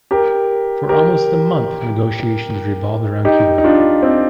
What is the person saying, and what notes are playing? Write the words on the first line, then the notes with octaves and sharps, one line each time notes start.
For almost a month, negotiations revolved around Cuba.
G4 A#4
G4 A#4
D#4 G4
D#4
D4 F4
C4 D#4